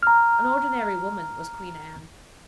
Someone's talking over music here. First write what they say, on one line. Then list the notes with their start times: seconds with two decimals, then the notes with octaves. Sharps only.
An ordinary woman was Queen Anne.
0.03 A#5 F6